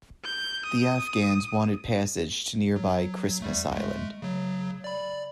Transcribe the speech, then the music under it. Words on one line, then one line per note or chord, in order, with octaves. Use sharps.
The Afghans wanted passage to nearby Christmas Island.
G6
D#6
F#3
E2 G3 A3
G#3 A3
C#3 F#3
D5 B5